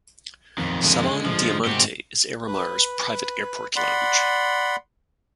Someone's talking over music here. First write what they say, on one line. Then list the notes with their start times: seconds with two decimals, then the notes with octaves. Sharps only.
Salon Diamante is Aeromar's private airport lounge.
0.58 F2 D#3
0.84 D3 G#3
1.26 F3
1.65 G#2 C4 F#4 G4
2.47 B4
3.76 D5 F#5 B5 C6